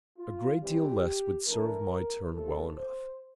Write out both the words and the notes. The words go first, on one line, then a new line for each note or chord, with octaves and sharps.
A great deal less would serve my turn well enough.
F4
E3 G3 C4 G4
E3 A3 D4 A#4
C3 F3 A3 C4 A4
C5